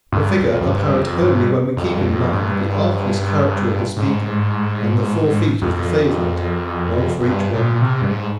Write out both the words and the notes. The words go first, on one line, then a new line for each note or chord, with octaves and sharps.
A vigor apparent only when we keep in mind the artless character of the speaker and the four feet of the favorite, one for each wind.
G2
F2
F2
G2
G2
F2
G2
F2
G2
F2
G2
G#2
F2
F2
G2
A#2
C3
G2
G#2